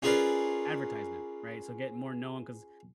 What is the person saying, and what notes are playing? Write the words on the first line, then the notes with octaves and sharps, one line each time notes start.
advertisement," right? So, get more known 'cause"
C#4 F4 G#4 A#4 B4 D5